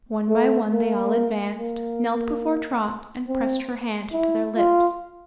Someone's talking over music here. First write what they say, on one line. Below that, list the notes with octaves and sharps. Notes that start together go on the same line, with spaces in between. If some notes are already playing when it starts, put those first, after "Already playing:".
One by one they all advanced, knelt before Trot and pressed her hand to their lips.
A3
A#3
A#3
C4
E4
F4